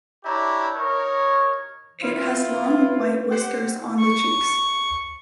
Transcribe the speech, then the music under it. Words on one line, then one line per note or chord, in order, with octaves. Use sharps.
It has long white whiskers on the cheeks.
D4 E4 G4 C#5 A#5
D#4 A#4 C#5
E4 F4 B4
G4 C5 F#5
C#6